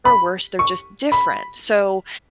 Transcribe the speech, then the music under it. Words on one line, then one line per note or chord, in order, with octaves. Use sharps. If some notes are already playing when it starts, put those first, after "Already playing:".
or worse, they're just different. So
B5
C#6
B5